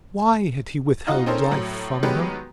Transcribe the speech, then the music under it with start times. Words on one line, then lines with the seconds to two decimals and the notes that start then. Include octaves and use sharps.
Why had he withheld life from her?
1.07 D#4 F4 F#4 D#5
1.26 C4 C#4 D#4 A4 A#4 C5
1.51 A2 F#3
2.03 D#3 F#3 G#3 B3 G4 B4